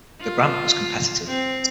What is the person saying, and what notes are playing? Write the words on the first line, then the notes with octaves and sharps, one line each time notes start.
The grant was competitive.
F4
C4